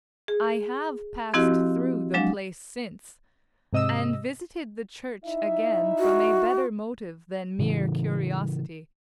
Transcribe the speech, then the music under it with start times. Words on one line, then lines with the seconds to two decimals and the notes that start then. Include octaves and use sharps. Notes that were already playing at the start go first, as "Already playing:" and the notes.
I have passed through the place since, and visited the church again from a better motive than mere curiosity.
0.28 G#4
1.34 F3 C4 E4 F#4 G4 D#5
2.14 F#3 G#3 D4 F5
3.73 G#2 C3 D#5 D#6 E6
5.25 D#4 E4 E5
5.99 F#4
7.59 A2 C#3 E3 G3